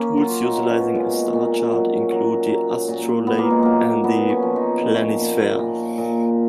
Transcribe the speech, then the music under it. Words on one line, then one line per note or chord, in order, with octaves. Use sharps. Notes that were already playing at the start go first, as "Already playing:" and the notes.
Tools utilizing a star chart include the astrolabe and the planisphere.
Already playing: A#3 C#4
F#3 F4
D#4
B2
C#4
A#2 G#3
A#2
F#3
F#3
F#3
A#2
A#2 B3
A#3
G#3
F#3 A#3
A#2 B3
C#4
F3
D#4
A#2
A#2
A#2
A#2